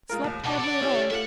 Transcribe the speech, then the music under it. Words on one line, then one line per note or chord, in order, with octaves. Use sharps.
Slept hardly at all.
G#3 F4 A#4
D#2
B2 F#5 A5 D6
A4 D5
C#4 E4 G4
A3 F4 E5 F#5 E7